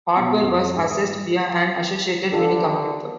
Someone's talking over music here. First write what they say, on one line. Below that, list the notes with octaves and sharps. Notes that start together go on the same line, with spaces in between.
Hardware was accessed via an associated minicomputer.
B2
F2
G#2
D#6
G3
D3 F4 G4 A4